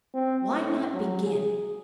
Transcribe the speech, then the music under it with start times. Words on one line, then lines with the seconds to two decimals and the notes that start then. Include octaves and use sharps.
Why not begin?
0.14 C4
0.53 A2
0.93 F#3
1.24 G#4